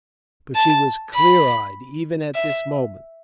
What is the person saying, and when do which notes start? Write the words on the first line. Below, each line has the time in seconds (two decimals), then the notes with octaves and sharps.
But she was clear-eyed even at this moment.
0.55 A5
1.15 B5
2.35 E5